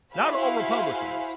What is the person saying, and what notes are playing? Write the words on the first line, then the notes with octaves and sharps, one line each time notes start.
not all Republicans,
E4 F#4 G#4 C5 F5 B5